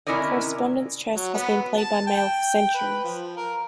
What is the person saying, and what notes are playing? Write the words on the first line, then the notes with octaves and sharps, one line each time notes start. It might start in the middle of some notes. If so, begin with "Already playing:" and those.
Correspondence chess has been played by mail for centuries.
C3 C#4 E4 A#4 D5 D#5
F#3
B3
A5
G5
B4
F3
A#4